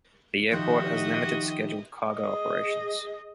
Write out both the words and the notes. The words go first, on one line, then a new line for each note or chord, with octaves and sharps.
The airport has limited scheduled cargo operations.
D#3 F3 D#4 F#4 G4 D#5 E5
G#4 D#5